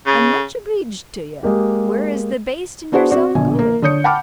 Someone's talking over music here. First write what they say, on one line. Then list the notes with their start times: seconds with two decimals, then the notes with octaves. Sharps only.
"I'm much obleeged to you: where is the baste and yourself going?"
0.06 C#3
1.43 G#3 A#3 G4
2.92 B3 D4 F#4 G#4 C5 F#5
3.11 C4 F#4 D5
3.35 A#1 B2 D3 G#5
3.59 A#3
3.82 D3 C#5 D#6 G6 C#7
4.04 F#5 G5 A5 B5 D6 F6